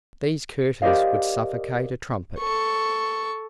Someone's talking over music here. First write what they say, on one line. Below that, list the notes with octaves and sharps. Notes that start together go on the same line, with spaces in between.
These curtains would suffocate a trumpet.
G4 A#4 C5 D5 D#5 F5
A4 C#6